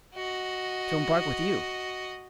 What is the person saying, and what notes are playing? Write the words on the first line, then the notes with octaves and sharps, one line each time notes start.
"To embark with you."
F#4 D#5